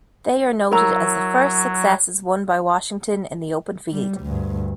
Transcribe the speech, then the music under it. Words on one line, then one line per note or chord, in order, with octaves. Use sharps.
They are noted as the first successes won by Washington in the open field.
F#3 E4 A#4 A#5 E6
G3
D2 G2